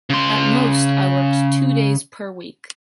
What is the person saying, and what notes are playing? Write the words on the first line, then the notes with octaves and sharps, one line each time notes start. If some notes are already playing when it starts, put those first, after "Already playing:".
At most, I worked two days per week.
C#3 C6